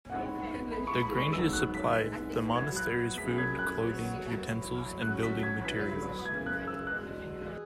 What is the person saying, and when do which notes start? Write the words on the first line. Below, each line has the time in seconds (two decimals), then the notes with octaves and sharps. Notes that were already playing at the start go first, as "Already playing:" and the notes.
The granges supplied the monastery's food, clothing, utensils and building materials.
0.09 G#2 G#3 E4 C#5 F#5
0.71 E3 G#3 E4 G#4 B5
0.87 C#6
1.02 B5
1.17 C#6
1.33 G#2 F#3 B3 E6
1.53 F#6
1.75 B6
1.95 G#2 E3 G#3
2.56 F#3 B3 E4 G#6
2.76 F#6
3.18 F#2 F#3 E4 G#4 B6
3.38 G#6
3.59 F#6
3.79 F#3 B3 F#4 C#5
4.40 F#3 E4 C#5
5.02 F#3 C#4 F#4 F#6
5.23 B6
5.43 G#6
5.64 F#3 E4 B4 B6
6.25 F#2 C#3 E3 G#6
6.46 F#6
6.67 E6
6.87 E2 B2 G#3 F#6
7.49 G#4